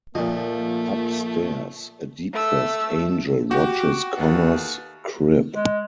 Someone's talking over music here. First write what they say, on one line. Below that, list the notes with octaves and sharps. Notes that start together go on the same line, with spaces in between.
Upstairs, a depressed Angel watches Connor's crib.
A#2 F3 A3 A#3 D#5
A3 E6
F#4 G4
D#2 B2 A3
G#3